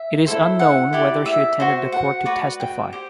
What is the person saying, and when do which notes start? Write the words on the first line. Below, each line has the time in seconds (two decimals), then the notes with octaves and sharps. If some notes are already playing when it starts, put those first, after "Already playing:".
It is unknown whether she attended the court to testify.
Already playing: E5
0.27 E4 A4 C5
0.59 F#5
0.93 E4 G4 D5
1.26 E5
1.60 F#4 C5
1.92 F#5
2.25 F#4 B4 D5
2.60 G5
2.93 G4 C5